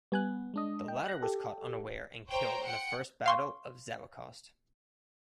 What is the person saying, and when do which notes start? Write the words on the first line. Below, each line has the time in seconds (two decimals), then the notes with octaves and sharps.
The latter was caught unaware and killed in the first battle at Zawichost.
0.12 G3 B3 G#5 F#6
0.54 G#3 D4 D#5
0.88 G5
1.06 F#6 A#6
1.22 G4 A4
2.28 C5 C#5 G5 A#5
2.66 F#5 G5 C#7
3.26 F5 C6 C#6